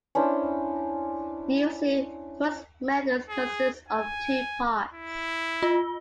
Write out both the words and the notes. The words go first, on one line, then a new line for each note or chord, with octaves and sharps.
Usually those methods consist of two parts.
C#4 D4 E4 C5
G#4
G#5
E4
F4